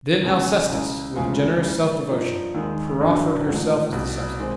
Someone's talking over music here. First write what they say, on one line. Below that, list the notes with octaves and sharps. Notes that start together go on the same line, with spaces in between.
Then Alcestis, with a generous self- devotion, proffered herself as the substitute.
C#2 B2 G#3 C#4
C#2 C#3 E3
E1 D2 C#3 F3 G#3
A2 E3 G3
G2 D3 F3 A#3 D#4
D#2 D#3 G#3
G#1 G2 D3 F#3
A1 G#2 F3 A3
C2 B2 G3
D#3 G#3 C4